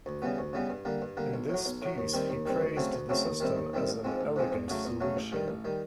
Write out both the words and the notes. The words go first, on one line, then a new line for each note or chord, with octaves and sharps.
In this piece he praised the system as "an elegant solution".
D2
C#3 E3 G3 B3
D2
C#3 E3 G3 B3
G2
D3 G3 A#3
G2
D3 G3 A#3
B1
A2 F#3
B1
A2 F#3
D#2
D#3 G3 C4
D#2
D#3 G3 C4
D2
C#3 F#3 A3 C4
D2
C#3 F#3 A3 C4
D#2
D#3 G3 C4 E4
D#2
D#3 G3 C4 E4
A1
G#2 F3 G#3 C4
A1
G#2 F3 G#3 C4
E2
C#3 F#3 A3
E2
C#3 F#3 A3
A1
G2 D#3 G3
A1
D#3 G3